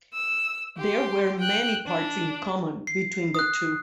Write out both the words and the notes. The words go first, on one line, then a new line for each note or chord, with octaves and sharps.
There were many parts in common between the two.
E6
G4 C6
G5 F#6
D4
C7
D#6 F#6